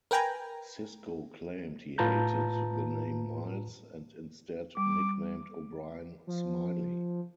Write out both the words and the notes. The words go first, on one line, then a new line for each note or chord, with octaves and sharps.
Sisko claimed he hated the name Miles, and instead nicknamed O'Brien "Smiley".
A#4 B4 G5 G#5 A#5
A2 F4 B4 A5 A#5 G6
G3 D6
F3